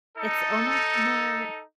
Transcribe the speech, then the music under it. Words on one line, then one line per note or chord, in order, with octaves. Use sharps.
it's almost more
D#4 A4